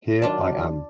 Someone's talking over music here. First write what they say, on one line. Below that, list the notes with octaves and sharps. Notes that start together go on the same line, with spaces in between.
Here I am.
D#3 F#3 D4 F4 D5 A5